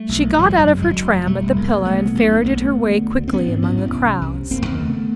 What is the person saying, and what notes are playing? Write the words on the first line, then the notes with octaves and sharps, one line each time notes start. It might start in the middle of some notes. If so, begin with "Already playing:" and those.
She got out of her tram at the Pillar and ferreted her way quickly among the crowds.
Already playing: G3 A3
B1
A#2
G#1 F3 G3
F#2
C#3 G#3
G3
G#1 F#3 G#3
F1
E2
B2 G3 A3
F1
C2 G#3 A#3
B2
C2 A3 B3
B2
B1
A2
B1 A3 B3
A2
D2
D3
D2
D3
C4
A1 B3 C#4
G#2 C4 D4
A1 B3 C#4
G#2
C2
C3
C2
C3
F1 A#3 C4
D#2
A#3
C#3 A3 B3